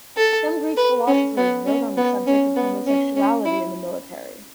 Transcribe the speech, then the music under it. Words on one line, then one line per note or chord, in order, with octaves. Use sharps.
Some Greek philosophers wrote on the subject of homosexuality in the military.
A4
B4
C#4
B3
C#4
B3
C#4
B3
C#4
C#4
E4